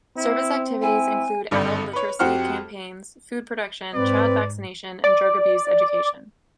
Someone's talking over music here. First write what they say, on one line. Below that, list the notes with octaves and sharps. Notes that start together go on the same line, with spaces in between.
Service activities include adult literacy campaigns, food production, child vaccination and drug abuse education.
C4 E4
E4 G#5
G#1 G2 D3 D5 C#7
B4 C#5
F2 F#4 G4 C5 F#5 F6
G#2 C4 B4 D5
D5